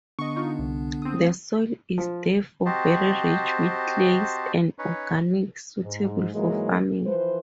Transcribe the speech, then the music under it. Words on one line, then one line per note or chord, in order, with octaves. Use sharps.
The soil is, therefore, very rich with clays and organics, suitable for farming.
D3 B3 D4 D#5 C#6
D#4 F4 C#6
C2
C4 D#6
F#3 A3 F5
F3
C4 F#4 G4 C5 D#5 A5
C#4 D#4 B4 C#5
G#2
G#2 E3 F#3 G#3 A#3
E3 F3 B4 C5